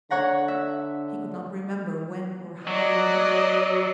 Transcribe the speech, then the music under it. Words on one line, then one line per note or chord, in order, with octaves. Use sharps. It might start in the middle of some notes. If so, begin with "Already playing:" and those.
He could not remember when or how he got it.
D3 C#5 F#5 A#5
E5
F#3 D5 D#5